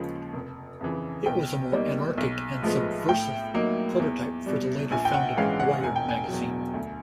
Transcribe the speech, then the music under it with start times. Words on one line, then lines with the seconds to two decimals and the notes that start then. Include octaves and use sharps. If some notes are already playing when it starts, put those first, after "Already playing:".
It was a more anarchic and subversive prototype for the later-founded "Wired" magazine.
Already playing: D#2 C#3 F3 G#3
0.34 F1
0.81 F2 C#3 E3
1.26 B1 G5
1.72 B2 G3 A#3 D#4
2.17 B1
2.63 A2 F3 G#3 B3
3.08 A2 G5
3.54 F#3 A#3 D#4
3.99 E2
4.46 B2 G3
4.91 A#1 G#5
5.05 G5
5.14 F#5
5.37 G#2 E3 G#3 C#4 F5
5.60 F#5
5.83 E1 G#5
5.96 G5
6.09 G#5
6.28 E2 B2 F#3
6.74 D2